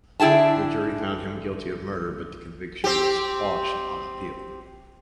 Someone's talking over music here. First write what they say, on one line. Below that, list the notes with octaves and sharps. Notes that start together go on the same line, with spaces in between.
The jury found him guilty of murder, but the conviction was quashed on appeal.
D3 E4 G#4 G5 A5
C4 G4